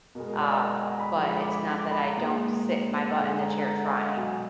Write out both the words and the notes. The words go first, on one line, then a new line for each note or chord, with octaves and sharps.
Um, but it's not that I don't sit my butt in the chair trying.
B2 G#3 A#4
A#4
D5
D#5
F#5
G#5
A#5
B5
D3 F3 G#3 A#5
B5
D6
B5
D6
B5
D6
B5
A#5
A#2 G#3
F#5
D3 G#3 G#5
G#5
A#5
A#5
F#5
D#5
F5
F#5
B2 F#3 G#5